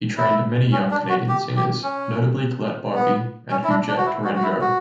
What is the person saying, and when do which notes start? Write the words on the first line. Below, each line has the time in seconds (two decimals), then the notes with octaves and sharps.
He trained many young Canadian singers, notably Colette Boky and Huguette Tourangeau.
0.17 E4
0.72 C#4
0.91 D4
1.09 F#4
1.29 G4
1.56 G4
1.83 C#4
2.95 B3
3.51 C#4
3.64 E4
3.69 D4
3.88 D4
3.97 F#4
4.06 E4
4.24 F#4
4.35 F#4
4.43 E4
4.61 F#4